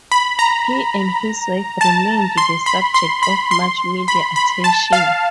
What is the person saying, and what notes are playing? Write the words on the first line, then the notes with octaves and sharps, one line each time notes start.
He and his wife remained the subject of much media attention.
B5
A#5
A5
C6
B5
C6
B5
C6
B5
B5
A5
F5